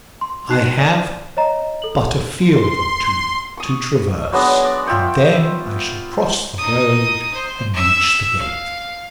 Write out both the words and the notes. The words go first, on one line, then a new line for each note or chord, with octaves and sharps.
I have but a field or two to traverse, and then I shall cross the road and reach the gates.
C6
D#4 F#4 F#6 C7
D5
C#5 D#5 A#5
A4 F#7
C6
C#6 D#6
F#3 G#3 B3 D4
D5
F4 E5 G5 C#6
D#4 D#6
C5
E5 E6
F5